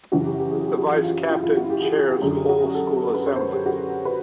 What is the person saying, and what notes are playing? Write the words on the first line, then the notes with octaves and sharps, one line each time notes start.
The Vice-Captain chairs whole school assemblies.
F#2 C#3 E3 F#4
G4
G4
G#4
G4
F#4
F4
F4
E4
F4
F#4
G4
G#4
G4
G4
F#2 D3 G#4
G4
F#4
G#4
A4
A#4
B4
C#5
C5
B4
G4
F#4
G#4
B4